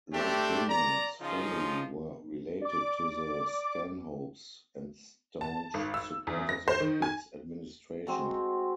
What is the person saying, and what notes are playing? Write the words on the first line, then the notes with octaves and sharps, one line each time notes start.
Lord Binning's family were related to the Stanhopes and staunch supporters of Pitt's administration.
A3 C4 D4 G4
D5 A#5
C#3 F3 D#4 F4
D5 D6
A5
G#1
E6
E2
A#6
C5
D#3
G#5
G#3 C4 F#4 A#5